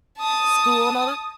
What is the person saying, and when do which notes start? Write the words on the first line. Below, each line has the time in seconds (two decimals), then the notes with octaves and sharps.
school and all that
0.18 A5 D#6